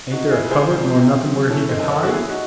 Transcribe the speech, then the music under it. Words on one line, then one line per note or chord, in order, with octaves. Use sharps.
Ain't there a cupboard nor nothing where he could hide?'
D#4 F#4
C#2
E4 G#4
C#2
G#4 C5
C#2
C3
F#3
E3 A4 C#5
C5 D#5
F#2
A4 C#5
F#2 F#4
E4 G#4
D#4 F#4